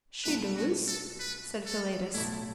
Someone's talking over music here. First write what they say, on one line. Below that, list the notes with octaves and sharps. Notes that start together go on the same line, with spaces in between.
"She doos," said Philetus.
B1 B2 A3 D4 B4
F#4
A4
B4
A4
B1 A2 A3 E4